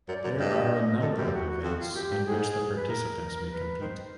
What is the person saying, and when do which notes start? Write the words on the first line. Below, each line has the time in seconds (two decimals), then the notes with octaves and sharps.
There are a number of events in which the participants may compete.
0.08 F#2 D5
0.24 F#2
0.39 G2 D#5
0.70 D#5
1.01 F#2 A4
1.16 F#2 G4
1.32 F#4
1.63 F2 F#4
1.79 F4
1.94 F#2 G4
2.10 G2
2.26 G#2 G#4
2.41 G#4
2.76 B4
2.88 A2 A#4
3.50 B4
3.81 D#3 C5